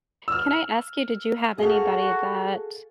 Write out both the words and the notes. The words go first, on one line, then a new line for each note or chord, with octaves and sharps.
Can I ask you, did you have anybody that
E6 F6
F#4 G#4 A4 F5